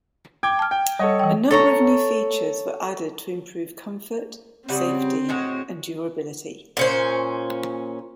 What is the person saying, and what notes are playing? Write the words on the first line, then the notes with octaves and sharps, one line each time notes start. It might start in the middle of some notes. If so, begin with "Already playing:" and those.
A number of new features were added to improve comfort, safety, and durability.
G5 D6 G#6
A5 F6
G5
G3 A4 C#5 D#5
E3 G3 G5
A4 C#5 A#5
C#3 G3 C4 F#5
A2 G#3 F#4
A#2 C#4 C5